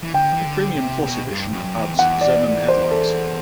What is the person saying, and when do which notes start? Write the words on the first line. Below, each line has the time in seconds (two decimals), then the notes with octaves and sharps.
The Premium Plus edition adds xenon headlamps.
0.03 E3
0.14 D3 G5
0.33 E3
0.45 D3
0.76 C3
1.06 B2
1.30 G2
1.53 F#2
1.64 F#2
1.75 E2
1.99 E2 F#5
2.21 D5
2.45 D5
2.68 C5
2.91 A4